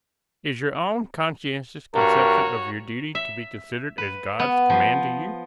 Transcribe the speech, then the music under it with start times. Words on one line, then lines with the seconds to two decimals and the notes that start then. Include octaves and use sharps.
Is your own conscientious conception of your duty to be considered as God's command to you?
1.95 G2 F#4 A#4 C#5
3.15 E5
3.98 B4
4.39 B3
4.70 F3